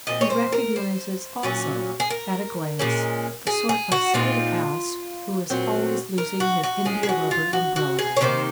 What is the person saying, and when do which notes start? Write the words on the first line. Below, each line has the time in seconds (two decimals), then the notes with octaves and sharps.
He recognizes also at a glance the sort of silly ass who is always losing his indiarubber umbrella ring.
0.07 A#2 F3 C4 D#5
0.21 C#5
0.30 C5
0.52 A#4
0.76 C5
1.43 A#2 F#3 C#4
2.00 G#4
2.10 A#4
2.79 A#2 G#3 C#4
3.47 G#4
3.69 G#4
3.92 F#4
4.14 A#2 G#3 C4 D#4 F4
5.50 A#2 F#3 C4
6.18 A#4
6.40 F#4
6.63 F#4
6.85 F3 G#3 C#4 G#4
7.03 G#4
7.09 F#4
7.31 F4
7.53 F#4
7.76 F#4
7.99 G#4
8.17 C#5
8.21 C3 D#3 A#3 D#4 C5